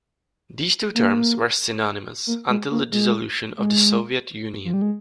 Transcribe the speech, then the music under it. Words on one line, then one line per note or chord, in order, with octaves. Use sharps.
These two terms were synonymous until the dissolution of the Soviet Union.
A#3
A#3
G#3
A#3
G#3
G#3
F3
G3
G#3